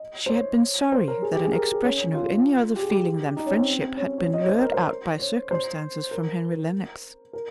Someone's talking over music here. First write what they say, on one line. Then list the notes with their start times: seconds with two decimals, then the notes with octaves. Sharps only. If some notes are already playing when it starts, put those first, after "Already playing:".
She had been sorry that an expression of any other feeling than friendship had been lured out by circumstances from Henry Lennox.
Already playing: D#5
0.26 C5
0.31 C#5
0.92 C5
1.08 A#4
1.22 G#4
1.33 G4
1.44 G#4
1.53 A#4
1.73 G#4
1.84 C#4
2.00 C#4
2.14 F4
2.76 G4
2.82 G#4
2.90 G4
3.37 D#4
3.46 C#4
3.57 C4
3.97 C#4
4.18 C#5
4.34 D#5
4.39 C#5
4.48 C5
4.59 A#4
4.74 C5
5.19 C#5
5.51 C5
6.11 A#4
7.33 A#4